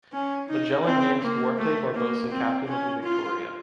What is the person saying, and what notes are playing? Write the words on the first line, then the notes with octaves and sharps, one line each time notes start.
Magellan names Duarte Barbosa captain of the “Victoria”.
C#4
D#4
C4
A#3
A3
A#3
C4
C#4
F4